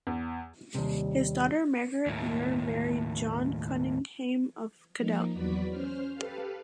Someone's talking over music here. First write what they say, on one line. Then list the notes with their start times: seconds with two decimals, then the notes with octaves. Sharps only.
His daughter Margaret Muir married John Cuninghame of Caddel.
0.07 E2
0.75 D#2 C3 G3
2.06 D#2 A2
4.98 F3 A#3 D#4
5.32 E2 F#3 F#4 B4 D5 B6
5.68 C#4 C5 F6
6.13 G4 A4 B4 F5